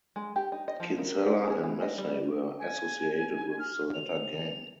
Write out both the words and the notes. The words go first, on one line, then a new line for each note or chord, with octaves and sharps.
Kinsella and Massey were associated with the latter gang.
G#3
G4
D#4
D#5
F3
A#4
C4
G#4
E3
D#5
G3
G#5
F6
F7